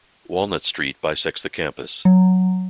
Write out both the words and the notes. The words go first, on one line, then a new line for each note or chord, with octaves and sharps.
Walnut Street bisects the campus.
F#3